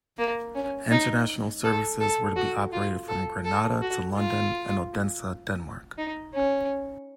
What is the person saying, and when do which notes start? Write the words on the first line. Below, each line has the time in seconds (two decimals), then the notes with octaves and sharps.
International services were to be operated from Granada to London and Odense, Denmark.
0.19 A#3
0.55 C#4
0.91 D#4
1.64 A4
2.00 A4
2.36 F#4
2.73 F4
3.09 A4
3.45 A4
3.82 F#4
4.17 F4
5.98 D#4
6.35 C#4